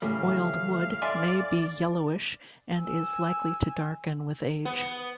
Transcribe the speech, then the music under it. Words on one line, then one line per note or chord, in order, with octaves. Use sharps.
Oiled wood may be yellowish and is likely to darken with age.
A2 C#3 E3 G3 F5
D5 E5 G#5 C6
G#5 E6
B3